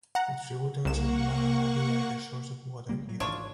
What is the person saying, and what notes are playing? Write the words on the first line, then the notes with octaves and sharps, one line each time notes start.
The tributaries of Mahanadi are the source of water here.
F#5 A#5
C2 A#3 F#5 C#6 E7
C#3 G3 A#3
A2 F#3
G#1 E3 D4 F4 C#5